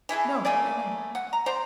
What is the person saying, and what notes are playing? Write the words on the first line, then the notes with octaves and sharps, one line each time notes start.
No, they're not.
E3 E4 G#4 A4
A3 A#3 G#4 D5
F#5
A#5
C5 D5 A#5